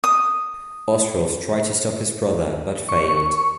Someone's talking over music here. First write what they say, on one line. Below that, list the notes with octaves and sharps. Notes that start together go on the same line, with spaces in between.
Oswulf tried to stop his brother, but failed.
D#6
C#6